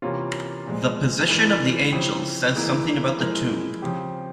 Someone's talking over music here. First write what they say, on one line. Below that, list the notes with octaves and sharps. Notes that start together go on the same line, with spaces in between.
The position of the angels says something about the tomb.
C3 E3 A#3 C#4 F4
A#2 F3 G#3
E3 G#3 E4 A#4
C#3 F3 C4 E4 G4
E3 A#3 E4 G#4
F3 G#3 E4 A#4
C#3 F3 C4 G4